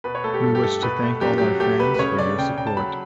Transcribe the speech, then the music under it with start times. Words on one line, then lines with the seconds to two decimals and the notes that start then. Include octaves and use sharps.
We wish to thank all our fans for your support.
0.04 B2 B4
0.15 C#5
0.24 A3 A4
0.34 G4
0.44 G2 A4
0.55 G4
0.62 A3 A4
0.82 B2 B4
1.02 A3
1.21 F#2 G4
1.38 F#3 G4
1.60 A3 G4
1.79 A3 B4
1.94 B4
1.99 C#3 C#5
2.18 C#3 D5
2.39 C#3 G5
2.57 C#3 G5
2.67 A5
2.77 F#3 B5